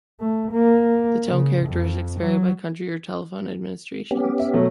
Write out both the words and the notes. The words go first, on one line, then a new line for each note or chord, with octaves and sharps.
The tone characteristics vary by country or telephone administrations.
A3
A#3
C#3
F2
F#3
B3 C#4 G4
E5
B2 F#3 A3